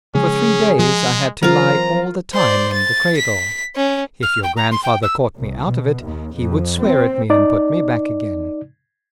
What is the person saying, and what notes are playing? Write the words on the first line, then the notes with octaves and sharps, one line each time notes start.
For three days I had to lie all the time in the cradle: if your grandfather caught me out of it, he would swear at me, and put me back again.
C#3 F3 G#3 C#4 G#4
F3 G#3
E3 F#3 C4 F4 A#4 A#5
C5 D5
A6
B6
C#4
F6
G5
A#5
C6
G5
E6
C2
B2
D#2
F2
C4
D#4 D5